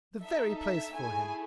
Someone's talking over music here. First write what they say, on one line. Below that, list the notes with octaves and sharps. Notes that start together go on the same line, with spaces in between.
The very place for him.
D#4 A4 E5
E5
A3 E4 G#4 G#5